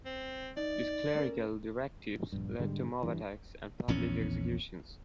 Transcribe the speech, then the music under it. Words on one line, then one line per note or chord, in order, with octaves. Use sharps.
These clerical directives led to mob attacks and public executions.
C4
D#4 D5
A3 C#4 A#4
A#1 G2
G#2 D3 G3 G#3
G2 E3
A#1 E2 C#4